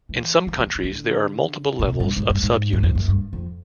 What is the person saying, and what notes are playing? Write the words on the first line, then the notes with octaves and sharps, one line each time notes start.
In some countries, there are multiple levels of subunits.
E3
F3
E3
C#3
D3
B2
C3
G2
G#2
G2
G#2
F#2
F2
F#2
G2
F2